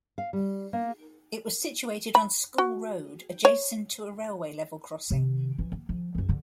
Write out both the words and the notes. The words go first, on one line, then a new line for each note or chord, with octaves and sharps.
It was situated on School Road, adjacent to a railway level crossing.
F5
G3
A#3
B5
F#4
C#5
C3 D#3
E3 F3
A#3
F3
F#2 E3
G2 D3